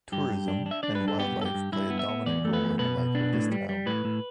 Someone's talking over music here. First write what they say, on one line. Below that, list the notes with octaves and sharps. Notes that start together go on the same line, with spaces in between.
Tourism and wildlife play a dominant role in the life of this town.
G2 G4
G2
D4
D4
E5
D4 D5
B4
G2
A4
B3 G4
G2 A4
G4
G2
G2 E4
B3
E5
B3
E2 D5
A3
B4
E2
B2 B4
B2
D4
A2
G3
G3
A2 B4
A2